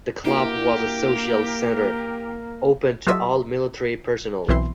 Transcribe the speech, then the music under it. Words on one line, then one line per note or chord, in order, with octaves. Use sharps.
The club was a social centre, open to all military personnel.
A#3 D4 E4 F#4 G4 A#4
F#3 F4 G4 A4 D#5 E5
B1 E3 C4 E4 C6